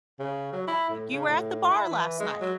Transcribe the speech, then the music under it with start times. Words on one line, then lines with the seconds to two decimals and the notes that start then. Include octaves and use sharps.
"You were at the bar last night.
0.19 C#3
0.52 F#3
0.67 E4
0.90 A2
1.11 C#3
1.28 A2
1.71 E4
1.89 E3
2.20 G#3
2.41 F#3